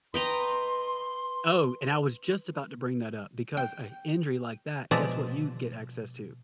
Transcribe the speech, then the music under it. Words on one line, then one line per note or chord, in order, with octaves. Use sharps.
Oh, and I was just about to bring that up, because a injury like that, guess what you get access to?
B4 D#5 G5 A#5 C6
G5
B2 F3 G#3 D5 E5 A#5